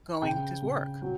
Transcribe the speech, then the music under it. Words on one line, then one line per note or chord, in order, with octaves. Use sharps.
going to s work.
C#3 G5
C#3
F#3